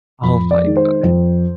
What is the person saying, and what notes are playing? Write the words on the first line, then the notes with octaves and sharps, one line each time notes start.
Oh my god.
F2 B5
D5
D#3 G#3
C5
F2